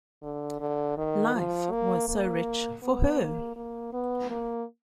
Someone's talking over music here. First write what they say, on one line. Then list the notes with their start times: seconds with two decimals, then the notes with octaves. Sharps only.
Life was so rich for her.
0.23 D3
0.60 D3
0.98 D#3
1.35 F3
1.71 A#3
2.09 A#3
2.82 B3
3.19 A#3
3.56 A#3
3.93 B3
4.30 A#3